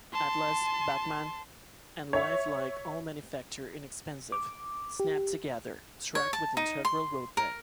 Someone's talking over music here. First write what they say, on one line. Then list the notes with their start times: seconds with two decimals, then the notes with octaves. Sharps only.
Atlas, Bachmann, and Life-Like all manufacture inexpensive, snap-together track with integral roadbed.
0.13 A5 C6
2.13 C#5 E5
4.32 D6
5.00 G4
6.15 C#5
6.33 A5
6.57 D#4
6.85 C6
7.37 A#4